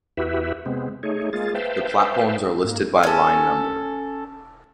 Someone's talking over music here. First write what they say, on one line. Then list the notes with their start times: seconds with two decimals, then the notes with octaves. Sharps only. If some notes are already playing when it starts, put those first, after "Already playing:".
The platforms are listed by line number.
0.17 E2 E4 F#4 G4 B4 E5
0.66 C3 G#3 B3 C4
1.03 A3 D#4 G#4 C#5
1.33 G#3 A#3 F4 G#4 A6
1.54 B4 C5 E5 F5 G5 A5
2.64 G#2 A#3
3.03 C#4 A4